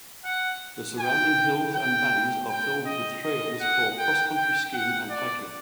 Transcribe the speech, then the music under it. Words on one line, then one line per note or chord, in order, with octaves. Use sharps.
The surrounding hills and valleys are filled with trails for cross-country skiing and hiking.
F#5
G5
G5
G5
D#5
D#5
F#5
G5
G5
F#5
D5